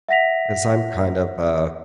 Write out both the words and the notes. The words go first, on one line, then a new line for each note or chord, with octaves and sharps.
'cause I'm kind of a
E5 F#5 A#6 B6 F7